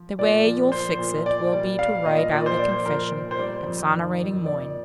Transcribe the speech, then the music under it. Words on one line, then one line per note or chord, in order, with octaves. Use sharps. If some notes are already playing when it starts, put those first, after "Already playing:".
"The way you'll fix it will be to write out a confession exonerating Moyne."
Already playing: F3
A#2 D5
F3
F3 C5
A#2
A#2 D5
G3 D5
G3 F5
A#2 D#5
A#2 D5
C5
F3 D5
C5
F3 A#4
A#2 C5
C5
G3 D5
F2
D#3
F2
A#2 D5